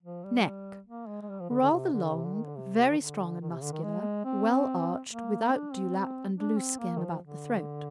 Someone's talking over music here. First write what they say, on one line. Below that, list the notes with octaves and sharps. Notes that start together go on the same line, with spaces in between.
NECK--Rather long, very strong and muscular, well arched, without dewlap and loose skin about the throat.
F3
G3
A#3
G#3
G#3
G3
F3
D3
D3
C3
D3
C3
D3
D#3
D3
C3
D#3
D3
D#3
C3
D3
D#3
G#3
C4
A#3
D4
C4
D4
C4
A#3
D#3
F3
D3